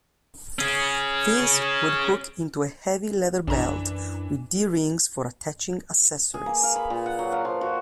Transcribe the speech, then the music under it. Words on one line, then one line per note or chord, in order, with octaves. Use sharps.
This would hook into a heavy leather belt with D-rings for attaching accessories.
C#4 G#4
A#1 F#2 E3 D4 A#5
G#4
A#3
F5
B5
A#2
F#5
F#3
F5
F3
F#4